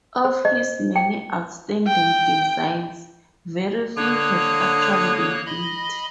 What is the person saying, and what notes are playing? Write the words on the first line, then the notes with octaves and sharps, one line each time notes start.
Of his many outstanding designs, very few have actually been built.
C5
D#5
G5
G5
D3 A#3 C#5 D#6 F#6
D#5 B5